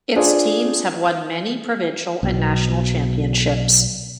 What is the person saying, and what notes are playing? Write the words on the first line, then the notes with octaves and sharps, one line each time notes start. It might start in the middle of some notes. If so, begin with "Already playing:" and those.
Its teams have won many provincial and national championships.
D4 F4 G#4 C5 D5
B1 B2